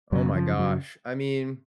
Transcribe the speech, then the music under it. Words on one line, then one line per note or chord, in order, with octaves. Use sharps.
Oh my gosh, I mean,
F#2 C#3 F#3
F3
F#3